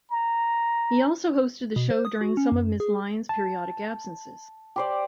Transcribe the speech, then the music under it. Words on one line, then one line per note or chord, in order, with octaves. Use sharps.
He also hosted the show during some of Ms. Lyons' periodic absences.
A#5
B2
C5
D#6
F#4
C#4
F#2
G#4
A5
G4 C5 D5